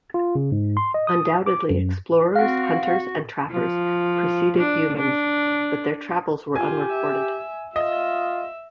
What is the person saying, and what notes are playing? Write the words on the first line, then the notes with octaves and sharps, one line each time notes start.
Undoubtedly explorers, hunters, and trappers preceded Youmans, but their travels were unrecorded.
F4
C#3
G#2
C6
D#5
D#6
D6
F#2
C4 F#4 F5 F#5
F#4
F3
D4
D4
F4 G4 G#5
E5
F4 D#5 E5